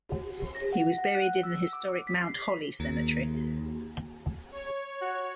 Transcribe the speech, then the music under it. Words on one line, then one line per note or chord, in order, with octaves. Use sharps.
He was buried in the historic Mount Holly Cemetery.
F#4
A#6
F#5
F#5
F#6
E6
D6
B6
C7
D#2 A#3 F#4 G#4
C#5
F#4